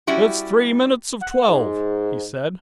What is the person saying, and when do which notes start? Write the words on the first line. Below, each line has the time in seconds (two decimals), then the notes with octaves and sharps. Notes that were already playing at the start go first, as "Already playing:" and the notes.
"It's three minutes of twelve," he said.
0.07 G3 C#4 E4 F#4 G4
1.22 F#5
1.49 G#2